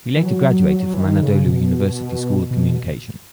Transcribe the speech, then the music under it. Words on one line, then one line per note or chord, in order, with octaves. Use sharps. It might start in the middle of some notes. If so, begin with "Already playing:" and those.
He later graduated from Anadolu University School of Communication.
E3
F#3
F#3
F#3
E3
D#3
C#3
B2
B2